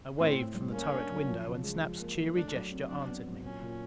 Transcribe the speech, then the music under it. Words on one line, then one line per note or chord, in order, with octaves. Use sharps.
I waved from the turret window, and Snap's cheery gesture answered me.
A2 C4
A2
G3
A#3 C#4
D4
F#3
F3
C#3
G#3
F3
A#3
F3
A3 D4
F#3
C4
F#3 D4
B3
F#3
A#2 C#4
A#2